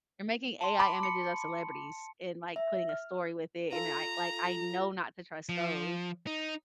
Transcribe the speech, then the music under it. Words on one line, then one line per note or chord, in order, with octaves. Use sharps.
they're making AI images of celebrities and, like, putting a story with it, and I like, I know not to trust those,
A5 C6
B5 D6
C#7
E5
F6
F4 A4 A#5
F3
D#4